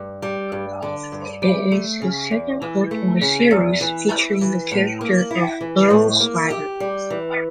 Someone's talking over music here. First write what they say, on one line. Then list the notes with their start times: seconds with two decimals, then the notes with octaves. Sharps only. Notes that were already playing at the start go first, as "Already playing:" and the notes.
It is his second book in the series featuring the character of Earl Swagger.
Already playing: G2
0.22 G3
0.52 G2
0.82 D3
1.12 G2
1.42 G3
1.72 A3
2.02 C#3
2.31 E2
2.62 E3
2.91 A3
3.21 C#3
3.51 E2
3.81 E3
4.11 E4
4.41 E3
4.71 A2
5.01 A#3
5.31 E4
5.61 E3
5.90 A2
6.20 A#3
6.51 G4
6.80 G3
7.10 E3